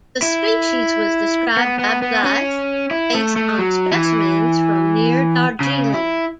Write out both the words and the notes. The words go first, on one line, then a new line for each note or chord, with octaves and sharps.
The species was described by Blyth based on specimens from near Darjeeling.
E4
B3
B3
B3
C#4
E4
A3
A3
F#3
E3
C#3
E4